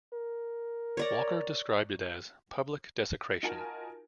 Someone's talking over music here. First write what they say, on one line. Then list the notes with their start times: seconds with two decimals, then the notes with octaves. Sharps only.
Walker described it as "public desecration".
0.14 A#4
0.97 C#5 D5 A#5
3.43 D#4 F4 F#4 A#4 G#5 A5